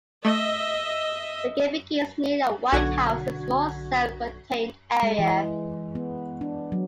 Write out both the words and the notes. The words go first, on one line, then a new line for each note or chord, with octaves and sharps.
The game begins near a white house in a small, self-contained area.
A3 D#5 E5
B1 D3 F#4 G#6
G#3
E3
B3
D4
F#3